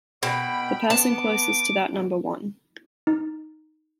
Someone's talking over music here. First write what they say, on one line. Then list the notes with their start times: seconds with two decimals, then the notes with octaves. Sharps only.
The person closest to that number won.
0.23 B2 G5 B5
0.90 B3 A5 D6
3.07 D#4